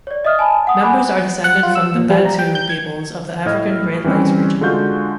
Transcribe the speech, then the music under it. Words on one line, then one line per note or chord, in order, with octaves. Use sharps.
Members are descended from the Bantu peoples of the African Great Lakes region.
C#5 D5
D#5 E5 D#6 F6
G#5 A5 B5
F#5 D#6
G#5 B5 D6 F#6
F#5
F4
E6
A#2
G3
A#5
G5
G6
G#6
A2 E4 D#5 F6 G#6
E3 G3 C4 C#4
D3 G#3 F4 F#4 F5 G6